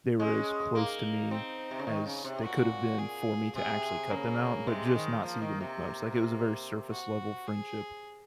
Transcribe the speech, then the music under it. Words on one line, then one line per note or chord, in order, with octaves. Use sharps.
they were as close to me as they could have been for me to actually cut them out, but just not see them as much, like, it was a very surface-level friendship
G#3 C#4
A#3 D#4
C4
C3
C#3
D#3
C#3
C3
A#2 F#4
G#4
C3 G#4
C#3 A#3
C3 G#3
D#3
F3 A#3
D#3
C3
A#3
F#4
G#4